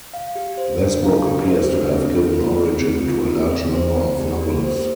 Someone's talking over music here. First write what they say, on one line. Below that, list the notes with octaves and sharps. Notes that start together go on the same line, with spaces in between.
This book appears to have given origin to a large number of novels.
F5
G4
C5
D4
F5
G4
C5
D4
C4
F4
A#4
C4
C4
F4
A#4
C4
C5
D#4
G4
A#3
C5